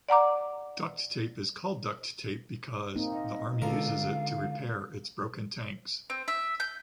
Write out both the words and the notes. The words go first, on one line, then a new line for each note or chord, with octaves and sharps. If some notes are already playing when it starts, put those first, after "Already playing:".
Duct tape is called duct tape because the army uses it to repair its broken tanks.
D5 F#5 A#5 D6
A#3 C4 D#4
D#5
C#2 D3 A4 A#4 F5
C4
E5
G6